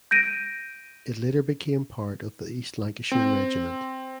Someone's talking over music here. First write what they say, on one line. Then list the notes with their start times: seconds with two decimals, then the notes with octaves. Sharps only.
It later became part of the East Lancashire Regiment.
0.11 G6 A#6 D7 D#7
3.12 C4